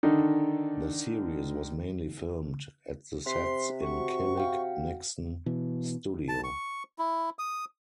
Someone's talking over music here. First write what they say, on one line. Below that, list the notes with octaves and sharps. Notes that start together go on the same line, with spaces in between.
The series was mainly filmed at the sets in Killick Nixon studio.
D3 D#3 D4 D#4 A4
C3 C5 C6 B6
F#4 C#6
F5 G5
B2 E3
A5
C#6
E4
D#6